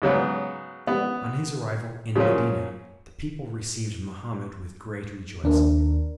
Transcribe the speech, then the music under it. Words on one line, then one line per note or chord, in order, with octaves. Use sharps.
On his arrival in Medina the people received Mohammed with great rejoicing.
G#2 C#3 F#3 B3
B3
C#3 F3 F#3 A#3 C#4
D#2 D4 A#4